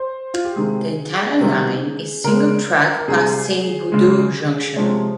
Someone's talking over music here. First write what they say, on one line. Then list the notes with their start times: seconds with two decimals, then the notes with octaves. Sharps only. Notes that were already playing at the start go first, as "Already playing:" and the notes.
The entire line is single track past Saint Budeaux Junction.
Already playing: C5
0.34 F4
0.45 G4
0.56 C3 D#3 G#3 G#4
1.41 C3 D#3 G3
2.24 C#3 G#3 A#4
2.98 A#4
3.08 C3 G3 G#4
3.92 C#3 G#3
4.76 C3 F3 G#3 C#5